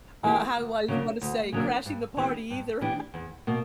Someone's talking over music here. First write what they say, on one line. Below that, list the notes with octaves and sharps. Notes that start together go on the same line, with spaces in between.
uh, how do I wanna say- crashing the party either.
E3 A#3 E4 G4
D2
C#3 F#3 A#3 D4
D2
C#3 F#3 A#3 D4
G2
E3 B3 D4 G4
G2
E3 B3 D4 G4
E2
B2 A#3